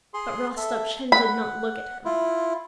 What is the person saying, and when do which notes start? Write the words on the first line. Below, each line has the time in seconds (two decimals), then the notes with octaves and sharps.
But Rostopchin did not look at him.
0.14 G#4 C6
0.57 A4 E5
1.12 F#5 B5
2.05 E4 F4